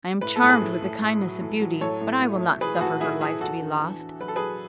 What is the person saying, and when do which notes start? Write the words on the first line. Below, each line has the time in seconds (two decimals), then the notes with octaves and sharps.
I am charmed with the kindness of Beauty, but I will not suffer her life to be lost.
0.21 A2 B4
0.36 A4
0.42 A2
0.49 G#4 B4
0.62 A2
0.82 A2
1.01 A2
1.21 F#3
1.41 A2
1.61 F#3
1.81 A2 A4 C#5
2.01 A2
2.22 A3
2.42 A2
2.61 E3 G#4 B4
2.75 G#4
2.81 A2 F#4 A4
3.01 A2 E4 G#4
3.21 E3 E4 G#4
3.41 E2 F#4 A4
3.60 D3
3.81 E2
4.00 D3
4.20 F#3 B4
4.28 A4
4.36 F#3 G#4 B4